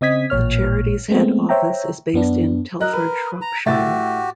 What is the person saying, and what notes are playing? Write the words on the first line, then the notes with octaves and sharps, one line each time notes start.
The charity's Head Office is based in Telford, Shropshire.
C#3 C4 D#5 D#6 G#6 B6
A1 A#2 C#5 F6
G#3 A3 B3 C4
C5 C#5 E5 G5 A#5
F#2 B3 D4
F#3 A#4 D#5 F#6
B4
A#5
A2 F#4 G4 E5 A6